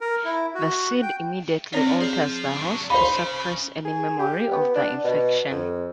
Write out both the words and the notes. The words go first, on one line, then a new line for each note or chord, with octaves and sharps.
The "seed" immediately alters the host to suppress any memory of the infection.
A#4
E4
F#4
G5
C4 D4 F4 C#5 D5
G#4 C5 F5
F#3 D4
D#4 C5 F5 B5
C#3
G#4
G4
B3
D4
B2
F2